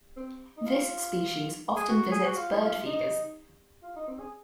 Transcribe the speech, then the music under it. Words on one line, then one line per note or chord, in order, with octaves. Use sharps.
This species often visits bird feeders.
C4
D#4
F4
G#4
F#4
G#4
F#4
F4
D#4
F4
D#4
F4
D#4
C4
G#4